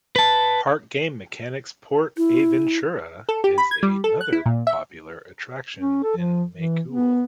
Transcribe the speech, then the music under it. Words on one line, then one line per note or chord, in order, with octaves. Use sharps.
Park Game Mechanics Port Aventura is another popular attraction in Macul.
B4 A5
E4
A4
G4
B5
G#6
G3
A4
F#6
E4
A#2
E5
C#4
A4
F3
E3
B3